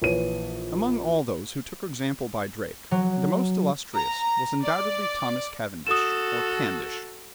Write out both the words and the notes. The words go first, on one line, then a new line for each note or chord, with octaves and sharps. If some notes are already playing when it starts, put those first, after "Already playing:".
Among all those who took example by Drake, the most illustrious was undoubtedly Thomas Cavendish or Candish.
A#1 E3 C#5 D#7
F#3
A#5
D5
F#4 A4 D#6 E7